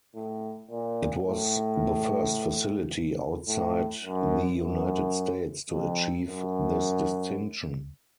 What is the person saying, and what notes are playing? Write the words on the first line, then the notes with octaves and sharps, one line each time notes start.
It was the first facility outside the United States to achieve this distinction.
A2
A#2
A2
A2
F#2
F#2
F2
F#2